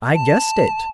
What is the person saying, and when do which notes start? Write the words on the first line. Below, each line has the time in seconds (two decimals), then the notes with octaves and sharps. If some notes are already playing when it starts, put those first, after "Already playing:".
"I guessed it."
0.14 A5